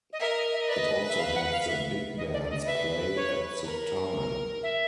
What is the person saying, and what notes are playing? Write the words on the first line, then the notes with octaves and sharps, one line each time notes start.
It also had the big bands play at the time.
D#5
A#4 E5
D#5
E5
D#5
B4 D5
D#5
E5
F5
F#5
F5
E5
D#5
D5
D5
D#5
B4 E5
C#5
A#4
E5